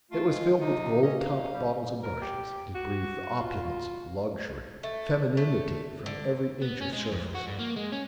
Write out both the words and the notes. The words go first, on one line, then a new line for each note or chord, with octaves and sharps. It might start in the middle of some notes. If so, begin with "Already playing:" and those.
It was filled with gold-topped bottles and brushes, and it breathed opulence, luxury, femininity from every inch of surface.
A3 F4
G#3
C3 D#4
C#4 D#5
D#4 F5
G3
A#4
G4
F#4
F4
A3
A3
D3
B3
C#4
G#3
F2
F#4
G2
A#3
G#3
C#4